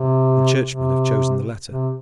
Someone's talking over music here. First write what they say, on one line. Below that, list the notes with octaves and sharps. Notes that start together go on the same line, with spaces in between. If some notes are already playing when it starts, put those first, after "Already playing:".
And Churchmen have chosen the latter.
Already playing: C3
C3
C3